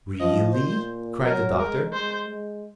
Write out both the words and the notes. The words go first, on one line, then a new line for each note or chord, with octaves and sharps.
"Really?" cried the Doctor.
F3 D#5
A#2 C5
F#3 A#4
G#3 A#4
G#3 C5
G#3